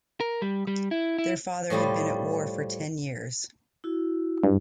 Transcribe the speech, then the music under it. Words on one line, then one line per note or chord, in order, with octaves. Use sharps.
Their father has been at war for ten years.
A#4
G3
G3
E4
E4
A2 F3 G3 D#5
E4 F#4
G2